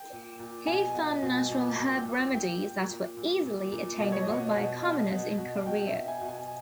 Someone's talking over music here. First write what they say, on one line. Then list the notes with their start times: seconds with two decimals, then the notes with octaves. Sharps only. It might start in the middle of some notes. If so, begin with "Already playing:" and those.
He found natural herb remedies that were easily attainable by commoners in Korea.
Already playing: G5
0.12 A#2
0.39 A#2
0.67 B2 G#5
0.95 B2
1.22 B2
1.51 A#2
1.79 A#2
2.06 A#2
2.33 A#2 G5
2.62 A#2
2.89 A#2
3.17 A#2
3.45 A#2
3.72 A#2
3.99 B2 D#5
4.12 C#5
4.24 B2 D#5
4.56 B2
4.83 B2
5.12 B2
5.38 B2
5.66 B2 G5
5.87 E5
5.94 B2
6.08 G#5
6.21 B2
6.29 G#5